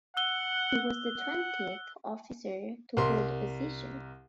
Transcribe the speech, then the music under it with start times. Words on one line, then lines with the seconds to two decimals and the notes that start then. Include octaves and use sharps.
He was the twentieth officer to hold the position.
0.17 F#5 E6 F#6 G7
1.20 F#5
2.97 C2 A#4 C6